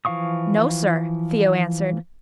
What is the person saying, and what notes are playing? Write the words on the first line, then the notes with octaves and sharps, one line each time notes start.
"No, sir," Theo answered.
E3 F3 F5 C#6 D#6